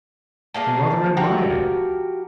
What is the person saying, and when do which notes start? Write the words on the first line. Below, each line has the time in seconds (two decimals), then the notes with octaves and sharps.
They rather admired him.
0.54 A3 A#3 G4 G#4
1.17 F3 F#4 G4 A#4